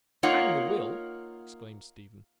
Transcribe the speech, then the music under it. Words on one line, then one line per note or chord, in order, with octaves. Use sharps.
"Hang the will!" exclaimed Stephen.
A#3 D#4 F4 C#5 F5 F#5